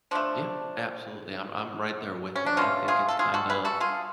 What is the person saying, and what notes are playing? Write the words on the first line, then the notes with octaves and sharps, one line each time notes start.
Yeah, absolutely. I'm I'm right there with you. I think it's kind of,
F3 A3 D4
C#4
D4
B2 A3 C#4 F4
F4 G#4
A4
F4 G#4
F#4 A4
G#4 B4
F#4 A4
F4 G#4